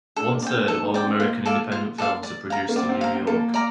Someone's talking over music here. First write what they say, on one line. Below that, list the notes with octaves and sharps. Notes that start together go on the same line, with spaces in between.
One-third of all American independent films are produced in New York.
D4 A4
A#3
C4 D5
G5
D4
D#4 A4
D#4
C4 D5 G5
C4
A#3 F4
A4 D5 F5
F4
A4 D5 F5
D5
F5 A#5
A#3
C4 D5
C4
F5 A#5
C4
A#3 A4
D5 F5 A#5